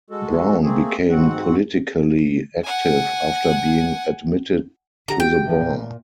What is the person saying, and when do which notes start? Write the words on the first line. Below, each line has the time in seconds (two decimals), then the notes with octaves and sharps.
Brown became politically active after being admitted to the bar.
0.10 G#3 F#4 A4
0.63 A3 A#3 C4 G#4
1.10 G#2 C4 F#4 F#5
2.64 F#5 G#5
5.08 D3 G4 F#5 A#5
5.20 G#3 F#4 G4 G5
5.45 D3 E3 F3
5.61 A#2